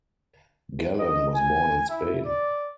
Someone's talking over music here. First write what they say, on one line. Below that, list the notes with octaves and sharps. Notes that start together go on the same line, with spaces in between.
Galan was born in Spain.
D#5
G#5
E4
D5